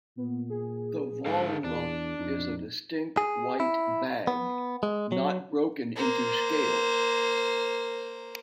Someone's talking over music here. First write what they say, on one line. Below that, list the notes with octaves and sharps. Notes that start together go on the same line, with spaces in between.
The volva is a distinct white bag, not broken into scales.
A#2 B3
G#4
G#2 D3 A4 F5
E2 D4
F2 D#4
G#4
E4
B3
G#3
F#3
A#3 C5